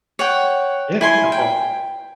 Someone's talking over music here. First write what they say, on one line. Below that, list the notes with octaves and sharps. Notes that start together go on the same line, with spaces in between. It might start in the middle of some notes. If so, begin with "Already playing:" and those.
Yeah, uh, well,
C#5 F#5 G5
E4 G#5 C6
G5